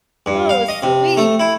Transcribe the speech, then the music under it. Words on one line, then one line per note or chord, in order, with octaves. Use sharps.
Oh, sweet.
G2
F5
D#5
C3
A3
E4